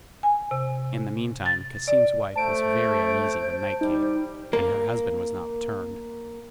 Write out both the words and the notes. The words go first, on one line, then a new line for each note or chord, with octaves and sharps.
In the meantime, Cassim's wife was very uneasy when night came, and her husband was not returned.
G#5
C3
A6
D5
A3 C5 A5 D7
G3 D#4
A#3 A#4